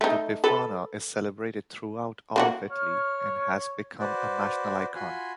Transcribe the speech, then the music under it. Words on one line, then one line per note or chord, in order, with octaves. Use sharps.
The Befana is celebrated throughout all of Italy, and has become a national icon.
A3 D#4
A4 B4
A#3 F4 F#4
C#5 F6
F#4 B4 C5 D5
F4 F#4 G#5 B5 C6